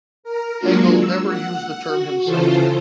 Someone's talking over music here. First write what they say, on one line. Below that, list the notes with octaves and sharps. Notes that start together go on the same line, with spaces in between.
Hegel never used the term himself.
A#4
F#3 G#3 A#3 D4 F4 F#4
E6
F#5
F#4
C#3 E3 F4 A4 C5